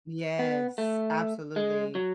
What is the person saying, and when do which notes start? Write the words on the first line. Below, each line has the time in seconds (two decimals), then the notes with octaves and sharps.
Yes, absolutely.
0.39 B3
0.78 A3
1.56 G#3
1.95 F#3